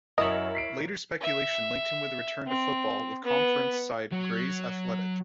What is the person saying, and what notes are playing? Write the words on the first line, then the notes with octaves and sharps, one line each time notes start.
Later speculation linked him with a return to football with Conference side Grays Athletic.
F#2 E4 A#4 C#5 D#5 A5 B5
B6 C7 D7
E5
C4
B3
F#3